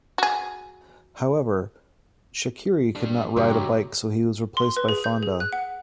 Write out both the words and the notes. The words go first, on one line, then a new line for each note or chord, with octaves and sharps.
However Chakiris could not ride a bike so he was replaced by Fonda.
F#4 G#4
G3 D4
C#2 G2 F#3 G4
C6
B4
G#4
G6
G#4
F#6
F#5